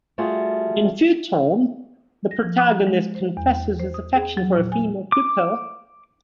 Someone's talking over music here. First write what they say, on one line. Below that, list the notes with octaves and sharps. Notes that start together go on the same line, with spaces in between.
In "Futon", the protagonist confesses his affection for a female pupil.
G3 A3 F4 F#4 G#4
A#6
F3
D6
G#3
C5
E2
C5
D#6
G#4
F#3
A#2
G#5
D6